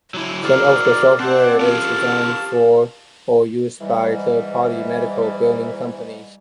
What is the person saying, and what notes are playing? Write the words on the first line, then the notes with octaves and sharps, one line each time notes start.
Some of the software is designed for or used by third-party medical billing companies.
F#3 E4
F#4 G#4 A#4 C5 D5
C4 D5 F#5 A5
F4 G4 A#4 F5 A5
G#2 E3 G3